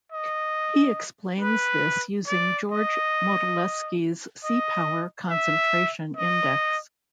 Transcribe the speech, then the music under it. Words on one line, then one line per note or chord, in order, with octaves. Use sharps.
He explains this using George Modelski's Seapower Concentration Index.
D#5
B4
D5
D#5
D#5
E5
D#5